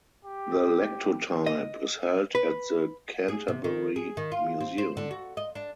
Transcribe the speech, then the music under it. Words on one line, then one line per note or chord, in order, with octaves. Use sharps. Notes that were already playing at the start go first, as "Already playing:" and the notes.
The lectotype is held at the Canterbury Museum.
G4
D#5
B4
G#4
C3
D#3
G#4
D#3
F4
C4
C5
D3
F#4
D#5
D4